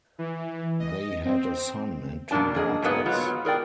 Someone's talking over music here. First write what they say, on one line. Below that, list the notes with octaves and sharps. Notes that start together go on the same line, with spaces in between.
They had a son and two daughters.
E3
D#5
C4
E2 B2 A#3 D4 A5
A#3 G#4 D5 D#5
G#2 F#3 A#3 B3 D#5
F#3 B3 F4
G#4 A#4 D5 G5